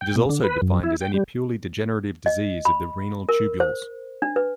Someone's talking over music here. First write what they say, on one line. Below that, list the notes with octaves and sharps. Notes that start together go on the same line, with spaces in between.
It is also defined as any purely degenerative disease of the renal tubules.
G5
B2
D3
B4
F#2
E4
G5
G3
D#5
B5
A#4
C5
D4
B4